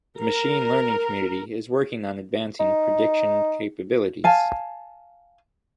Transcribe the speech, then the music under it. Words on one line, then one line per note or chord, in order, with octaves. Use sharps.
The machine learning community is working on advancing prediction capabilities.
A#4
D#4
F5 G#5 A5